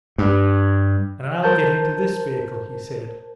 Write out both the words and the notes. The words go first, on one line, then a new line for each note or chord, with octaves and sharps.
"And I'll get into this vehicle," he said.
G2
A#4 C5 A5 G6